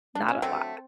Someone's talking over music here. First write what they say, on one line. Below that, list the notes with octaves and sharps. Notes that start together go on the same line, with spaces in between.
not a lot.
D4
C#4
D3 F#3 A3 C4